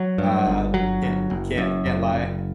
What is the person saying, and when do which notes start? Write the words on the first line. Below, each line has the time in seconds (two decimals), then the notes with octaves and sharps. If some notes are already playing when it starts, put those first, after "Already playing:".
Uh, can't can't can't lie.
Already playing: F#3
0.18 G2
0.46 G1
0.74 F#3
1.02 G1
1.30 F#1
1.58 F#2
1.86 F#1
2.13 F#1